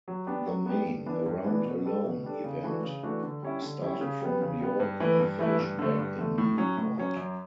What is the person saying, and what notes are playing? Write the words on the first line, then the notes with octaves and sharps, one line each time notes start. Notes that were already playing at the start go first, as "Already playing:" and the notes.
The main "Around Alone" event started from New York, and finished back in Newport.
F#3
B3 D4 G4 B4
F#3
B3 D4 G4 B4
G2
E3 B3 D4
G2
E3 B3 D4
B2
G3 D4 A4
B2
G3 D4 A4
C#3
E3 A3 D4 F#4
C#3
E3 A3 D4 F#4
D3
G3 C#4 E4
D3
G3 C#4 E4
C#3
G3 B3
C#3
G3 B3
G2
E3 A3 E4 B4
G2
E3 A3 E4 B4
G2
D3 A3
G2
D3 A3
A2
F#3 C#4
A2
F#3 C#4
F#2